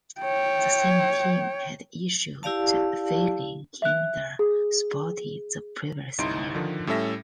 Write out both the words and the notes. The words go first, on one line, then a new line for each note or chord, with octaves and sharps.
The same team had issued "Feelin' Kinda Sporty" the previous year.
C#5 G5
E4 G4 D5 F5 A5
E5 F#6
G#4
G1 C2 D#4 E4 C6 D7
D3 D#3 F3
A2 G3 C#4 A4 E5 A#6